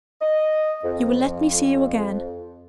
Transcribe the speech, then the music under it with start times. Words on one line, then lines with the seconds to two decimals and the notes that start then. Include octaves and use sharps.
You will let me see you again?
0.22 D#5
0.84 F2